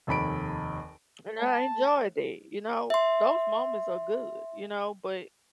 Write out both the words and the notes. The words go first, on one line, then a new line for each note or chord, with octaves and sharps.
And I enjoyed it, you know? Those moments are good, you know? But,
F1 D#2 B5 D7
A5
E5 C6